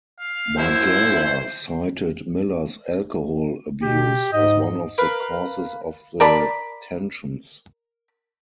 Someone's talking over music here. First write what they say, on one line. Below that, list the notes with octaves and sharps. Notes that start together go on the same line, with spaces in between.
Margera cited Miller's alcohol abuse as one of the causes of the tensions.
F5
F#2 F3 E4 C5
B2 G4
G#2 D#5
A#4 B4 F5
A#4 D5 A5 B5